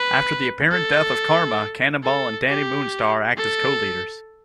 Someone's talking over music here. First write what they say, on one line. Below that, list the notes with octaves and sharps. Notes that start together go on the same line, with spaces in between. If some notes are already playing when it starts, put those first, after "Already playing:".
After the apparent death of Karma, Cannonball and Dani Moonstar act as co-leaders.
Already playing: B4
A4
A4
G4
A4